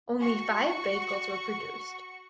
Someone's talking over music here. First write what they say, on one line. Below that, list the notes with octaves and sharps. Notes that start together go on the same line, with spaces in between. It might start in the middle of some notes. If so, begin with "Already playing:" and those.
Only five vehicles were produced.
F#4 C#6